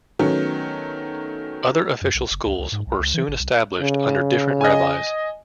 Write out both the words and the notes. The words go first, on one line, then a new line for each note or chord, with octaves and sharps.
Other official schools were soon established under different rabbis.
D#3 F#3 A3 B3 C#4
F#2
B1
F#1
C#2
C#2
G#2
B1
C#2
E3
G#1
C2
C#3
D#5 G#5